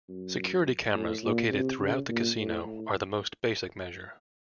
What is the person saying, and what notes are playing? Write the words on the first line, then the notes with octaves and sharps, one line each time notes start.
Security cameras located throughout the casino are the most basic measure.
F#2
A2
A#2
C3
C#3
A#2
A2
A2